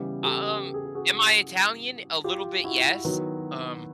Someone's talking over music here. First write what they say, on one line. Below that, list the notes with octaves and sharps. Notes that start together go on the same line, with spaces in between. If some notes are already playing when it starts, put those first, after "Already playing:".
um, am I Italian? A little bit, yes, um
Already playing: C#3 E3 G3 B3
G4 A4
A4
G#4
G4
F#4 G#4
F4 G4
E4 F#4
D#3 F#3 B3